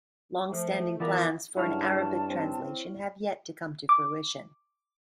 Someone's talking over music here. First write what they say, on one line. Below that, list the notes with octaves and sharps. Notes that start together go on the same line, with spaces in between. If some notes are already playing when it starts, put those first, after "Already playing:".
Long-standing plans for an Arabic translation have yet to come to fruition.
F3 A3
E3 B3 F4 G4 A#4 D5 E5 A5
G2 C#3 F#3 E4 C#5 A5 F6
C4
D6